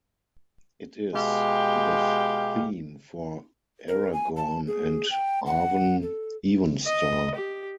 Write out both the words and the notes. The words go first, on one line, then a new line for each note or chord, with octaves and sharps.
It is the theme for Aragorn and Arwen Evenstar.
B2 G#3 G4 F5 G5
A#4
G#5
A5
G#4
G5
F#5
A4
D#5
G4